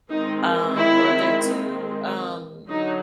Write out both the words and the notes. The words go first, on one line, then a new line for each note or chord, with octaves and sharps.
um, or they're too, um,
D#3 G#3 C4 D#4
E4
D3 F#3 D#4